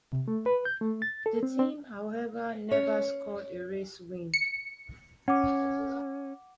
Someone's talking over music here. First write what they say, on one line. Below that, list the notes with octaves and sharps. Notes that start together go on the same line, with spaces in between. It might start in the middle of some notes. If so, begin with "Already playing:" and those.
The team however never scored a race win.
C3
A3
B4
G6
A3
A6
A4
C4
C4
C#4 C#5
C#7
C#4 F#5 D6